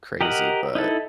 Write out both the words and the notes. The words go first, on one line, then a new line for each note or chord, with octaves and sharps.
crazy, but
G4 A#4 D#5 F#5
D#4 E4 A4